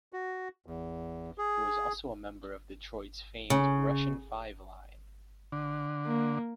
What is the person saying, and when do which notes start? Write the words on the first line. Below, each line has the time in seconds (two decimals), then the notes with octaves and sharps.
He was also a member of Detroit's famed Russian Five line.
0.13 F#4
0.66 E2
1.38 G#4
3.50 C#3
5.52 D3
6.06 A#3